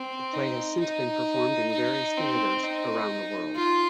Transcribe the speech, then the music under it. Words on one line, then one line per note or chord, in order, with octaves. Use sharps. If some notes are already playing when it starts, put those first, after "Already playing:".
The play has since been performed in various theatres around the world.
Already playing: C4
D#4
D#4
D#4
C4
D#4
F4